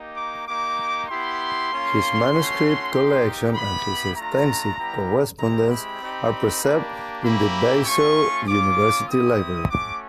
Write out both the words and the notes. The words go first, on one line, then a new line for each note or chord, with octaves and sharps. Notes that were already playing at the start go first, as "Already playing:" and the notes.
His manuscript collection and his extensive correspondence are preserved in the Basel University Library.
Already playing: A#3 D#4 G4
D6
A#3 D#4 G4 D6
B3 E4 G4 C6
A#3 C#4 F4
A3 C#4 F#4
A#3 D#4 G4
B3 E4 G4 B5
A3 D4 F4 A#5
G3 B3 E4 G4
G#3 C4 E4 G4 A#5
B5
C4 D#4 G4
A#3 D4 G4
A#3 C#4 E4 G4 B5
A3 C#4 F4 C#6
A#3 C#4 F4 D6
C4 E4 G4 D#6
A3 C#4 F#4 D6